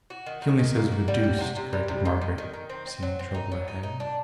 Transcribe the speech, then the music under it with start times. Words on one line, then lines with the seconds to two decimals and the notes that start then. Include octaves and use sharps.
"He only says 'reduced,'" corrected Margaret, seeing trouble ahead.
0.10 F#4
0.26 D#3
0.42 D#3
0.59 D#3
0.76 A#3
0.92 F#4
1.08 G3
1.23 F#4
1.41 C3
1.56 C3
1.73 G3
1.89 C3
2.05 D#3
2.21 D#3
2.38 D#3
2.54 D#3
2.70 C4
2.87 C4
3.03 F#3
3.19 C4
3.35 D#4
3.52 F#3
3.68 D#4
3.83 D#4
4.00 D4